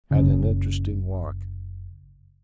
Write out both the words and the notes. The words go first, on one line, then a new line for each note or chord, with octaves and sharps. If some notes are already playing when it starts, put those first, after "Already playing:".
Had an interesting walk.
F#1 C#3